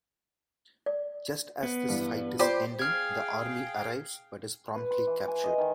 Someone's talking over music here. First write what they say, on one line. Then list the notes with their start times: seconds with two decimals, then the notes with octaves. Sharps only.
Just as this fight is ending, the army arrives but is promptly captured.
0.86 D5
1.63 B3
1.89 G2 E3
2.39 F4 G4 C5 D5 D6
2.79 G#4 F5 G5 F6 G#6
4.75 B4
4.91 C6
5.07 E3
5.28 G#5
5.44 D#5
5.58 D#3